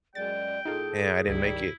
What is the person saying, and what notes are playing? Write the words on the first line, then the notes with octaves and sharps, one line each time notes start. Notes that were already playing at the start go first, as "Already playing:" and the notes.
and I didn't make it.
F#2 G#3 D5 G5 A6
A2 D#4 F4 G#4 A4
C#2 G2 D#3 G3 E4